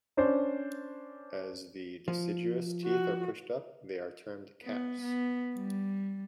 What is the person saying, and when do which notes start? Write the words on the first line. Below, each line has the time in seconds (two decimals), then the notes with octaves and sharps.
As the deciduous teeth are pushed up, they are termed "caps".
0.17 C#4 D4 C5
2.08 F3
2.86 F#4
4.63 B3
5.02 B3
5.56 G3